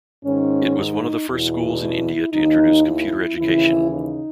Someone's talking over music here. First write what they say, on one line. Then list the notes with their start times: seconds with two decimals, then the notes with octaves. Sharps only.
It was one of the first schools in India to introduce computer education.
0.25 G#2 D#3 C#4
0.77 D#4
1.29 E2 B2 E4
1.81 E4
2.33 D#2 D#3 D#4
2.86 E4
3.38 D#2 C#3 E3 E4
3.90 D#4